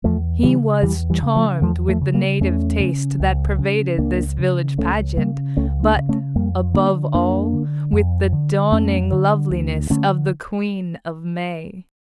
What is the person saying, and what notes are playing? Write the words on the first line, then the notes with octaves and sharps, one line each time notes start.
He was charmed with the native taste that pervaded this village pageant, but, above all, with the dawning loveliness of the queen of May.
E2 F3 A3
C#3 E3 G3
E2 E3 G3
E3 G3
C#3
F3 A3
E2 F3 A3
F3 A3
C#3
G3 A#3
E2 A3 C#4
C#3
C#2
C#3
C#2 A#3 D4
C#3
C#2 A3 C#4
C#3 G3 A#3
C#2 A3 C#4
A#3 D4
C#3
A3 C#4
F2 G3 A#3
D3 A#3 D4
F2 A#3 D4
D3
F2
D3
F2 A3 C#4
D3
D2
D3 A3 C#4